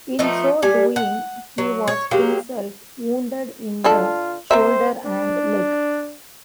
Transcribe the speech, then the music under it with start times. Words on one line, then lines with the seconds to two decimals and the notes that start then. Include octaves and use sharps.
In so doing he was himself wounded in the shoulder and leg.
0.19 F3 A3 B3 D#4
0.62 G3 G#5
0.96 F#5
1.58 F#3
1.87 C#5
2.11 F#3 G#3 A#3 G4
3.84 D3 D4 F4 A4
4.51 C4 A#4 C5 E5
5.06 D4